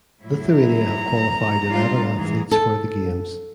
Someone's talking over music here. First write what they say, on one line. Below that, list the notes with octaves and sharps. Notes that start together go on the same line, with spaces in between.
Lithuania have qualified eleven athletes for the Games.
A2 F#3 E4
A#5
G3 D4 F4
G#2 E3 G#4
A4